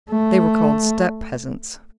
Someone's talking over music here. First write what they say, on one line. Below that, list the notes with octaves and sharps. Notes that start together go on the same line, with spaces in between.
They were called steppe peasants.
A3